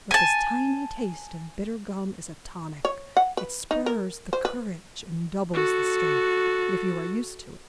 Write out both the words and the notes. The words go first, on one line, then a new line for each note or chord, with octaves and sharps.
But this tiny taste of bitter gum is a tonic; it spurs the courage and doubles the strength--if you are used to it.
G#5 A5
C#5
F#5
B4
D#4
A#4
C5
B4
F#4 A4